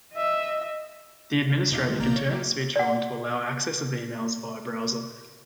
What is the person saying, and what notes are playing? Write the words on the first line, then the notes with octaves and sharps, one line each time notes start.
The administrator can turn this feature on to allow access of emails via browser.
D#5 E5
E2 B2 D#4 G4 F5 A6
A#2 D3 D#3 G#3
A#1 A#3 D5 A#5 G6
C#5
F#3 A#3 G4
D5 F#5